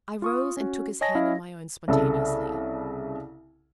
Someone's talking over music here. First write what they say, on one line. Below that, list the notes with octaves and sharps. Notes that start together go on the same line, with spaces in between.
I rose and took his hand in my own spontaneously.
F4 C#6 D#6
C#4 F#4
C#5 D#5 G#5 A5 A#6
C#4 E4 D#5 F5
C2 C#3 A4